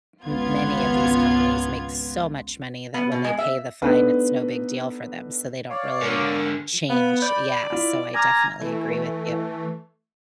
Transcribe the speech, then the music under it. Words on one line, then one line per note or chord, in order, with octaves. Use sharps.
m many of these companies make so much money that when they pay the fine, it's no big deal for them, so they don't really change yeah, so, I definitely agree with you.
G#1 C#2 B3 F4 G#6
B3
B2
G#3
E5
A3 B3 D4 D#4 B4
C#5 D5 F5
G#2 D3 A#4
B3 F5 B5
D5 G6
E4 F4
G#5 A#5 D6 F6 G#6
E3 A3